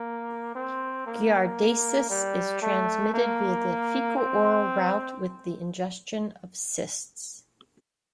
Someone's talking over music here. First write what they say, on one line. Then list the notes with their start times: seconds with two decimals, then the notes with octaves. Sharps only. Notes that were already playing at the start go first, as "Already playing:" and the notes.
Giardiasis is transmitted via the fecal-oral route with the ingestion of cysts.
Already playing: A#3
0.55 C4
1.06 A#3
2.10 G3
2.62 A3
3.14 A#3
4.17 C4